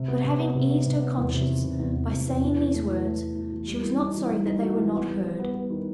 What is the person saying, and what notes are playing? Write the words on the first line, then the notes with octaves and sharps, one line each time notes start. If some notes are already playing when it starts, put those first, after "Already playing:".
But having eased her conscience by saying these words, she was not sorry that they were not heard.
Already playing: C3
B3
C3
B3
C3
B3
C3
B3
E2
C3
D#3
C3
E2
E2
C3
E2
E3
E3
A3
E3
A3
E4
E4
E3
G3
E3
D#4
E3
G3
D#4
F#4
E3
B3
G3
G3
B3
B3
D#3